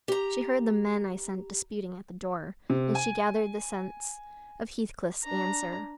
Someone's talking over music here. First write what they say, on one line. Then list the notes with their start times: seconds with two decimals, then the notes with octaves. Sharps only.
She heard the men I sent disputing at the door, and she gathered the sense of Heathcliff's answer.
0.08 G4 A#5
2.70 C3
2.95 G#5
5.24 D4 A#5